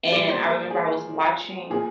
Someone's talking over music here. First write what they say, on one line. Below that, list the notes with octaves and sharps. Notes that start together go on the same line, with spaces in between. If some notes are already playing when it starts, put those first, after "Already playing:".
and I remember I was watching
A#2 G3 A#3 D5
D5
C5
A#4
G#4
A#2 F3 A#3 G#4